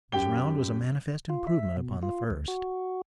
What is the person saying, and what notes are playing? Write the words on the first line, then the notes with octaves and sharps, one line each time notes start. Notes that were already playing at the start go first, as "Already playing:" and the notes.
This round was a manifest improvement upon the first.
F#2 G4 G5 G7
F4
E5
B2
F4
D2
F#4